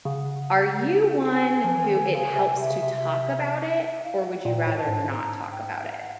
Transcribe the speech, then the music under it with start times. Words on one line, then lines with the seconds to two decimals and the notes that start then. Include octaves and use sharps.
are you one who it helps to talk about it, or would you rather not talk about it?
0.05 C#3 F#5
1.31 G#5
1.64 F3
1.74 E3
1.84 D#3
1.95 D3
2.15 C#3
2.36 C3
2.57 C3 E5
2.70 C#3
2.83 C3
3.82 E5
4.03 F5
4.25 F#5
4.45 A#2 G5
4.67 A2
4.77 A5
4.87 G#2
5.09 A#5
5.51 G5
5.72 F#5